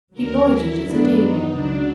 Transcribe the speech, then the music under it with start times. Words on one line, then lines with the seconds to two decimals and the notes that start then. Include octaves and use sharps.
He loitered at the table.
0.13 D#2 D3 F#3 A#4
0.47 E4
0.82 F#2 D#3 F#3 B3 D4
1.16 D#4
1.51 C#2 C#3 F#3 D4